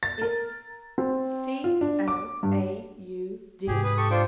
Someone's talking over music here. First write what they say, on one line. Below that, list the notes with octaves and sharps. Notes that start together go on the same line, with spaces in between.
"It's C-l-a-u-d!"
A6
A#4
C4
F4
D4
D6
G2
G#2 C3 G4 G#4
B4 D#6
G4 A4 C#6
D4 F4 C5 G5